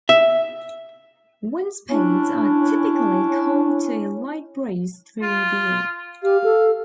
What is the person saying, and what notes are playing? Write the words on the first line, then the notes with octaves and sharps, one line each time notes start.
Wind speeds are typically calm to a light breeze through the year.
E5
C#4 D4 E4
F4
G4 F5
A4